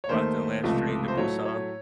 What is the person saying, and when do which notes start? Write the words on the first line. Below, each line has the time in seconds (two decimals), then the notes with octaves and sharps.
What, the last Train to Busan?
0.04 C#5
0.09 D#2 D#3 A3 C5
0.63 C#2 C3 F3 A3
1.08 C5
1.17 A2 F#3 A3 C#5
1.45 C#5